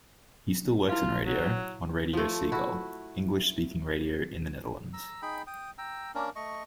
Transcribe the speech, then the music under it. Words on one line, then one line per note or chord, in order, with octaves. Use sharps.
He still works in radio, on Radio Seagull, English speaking radio in the Netherlands.
E4 F4 F5
F#3
F3 A3
E4 F#4
A#5 E6
D#4 G#4 G5 B5
G5 D#6
G5 A#5 E6
A#3 C#4 D4 A#4
A3 D#5 C#6